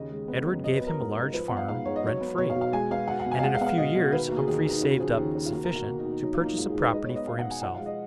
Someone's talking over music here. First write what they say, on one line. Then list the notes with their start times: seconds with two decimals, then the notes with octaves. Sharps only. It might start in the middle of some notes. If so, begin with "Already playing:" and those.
Edward gave him a large farm, rent free; and in a few years Humphrey saved up sufficient to purchase a property for himself.
Already playing: D#2 C#3 D#5
0.11 G#3
0.28 B3
0.46 F#2
0.64 F#3 D#5
0.75 B4
0.81 B3
0.87 A#4
0.99 G#2
1.16 G#2
1.34 F3 B4
1.48 B3 F#5
1.57 F5
1.68 G#2 F5
1.85 G#2 C#5
1.96 D#5
2.03 F#3 C#5
2.21 B3
2.38 B2 C#5
2.50 F5
2.56 B2
2.61 F5
2.73 G#3 G#5
2.91 B3 F5
3.08 B2 F#5
3.20 F#5
3.26 B2
3.31 G#5
3.39 F5
3.43 G#3 F#5
3.55 F5
3.61 B3 F#5
3.66 F5
3.78 B2 D#5
3.95 B2
4.12 D#3 B4
4.28 A#3 F#4
4.36 G#4
4.47 D#2 G#4
4.59 D#4
4.65 D#2
4.71 D#4
4.82 C#3 F#4
5.00 F3 G#4
5.17 D#2
5.35 D#2
5.46 F4
5.52 A#3 F#4
5.64 A#4
5.70 B2
5.75 F#4
5.88 A#3
5.99 D#4
6.05 B2
6.11 D#4
6.22 F#3 D#4
6.34 F4
6.40 A#3
6.46 D#4
6.57 G#2 F4
6.69 G#4
6.75 G#2
6.81 B4
6.92 G#3 D#5
7.05 C#5
7.10 B3
7.16 D#5
7.27 B2 F5
7.39 F#5
7.45 B2
7.51 G#5
7.62 F3 F#5
7.74 F5
7.79 G#3
7.86 D#5